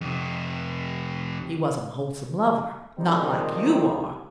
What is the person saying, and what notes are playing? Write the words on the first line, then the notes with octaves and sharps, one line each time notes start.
He wasn't a wholesome lover,--not like you are.
F2 C3
D#3 F3 G3 G#3 C4 D#4